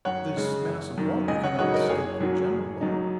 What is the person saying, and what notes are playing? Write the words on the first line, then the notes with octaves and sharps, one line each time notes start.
This mass of water cannot escape the general law.
F#2 C#5 F#5
C#3 G#3
F#1
F#2 D#3
C#2 D#5 G#5
C#5 F#5
C#3 F#3 D#4 C#5 F#5
A#4 D#5
F#1 G#4 C#5
F#2 F#3
F#1
F#2 F#3 D#4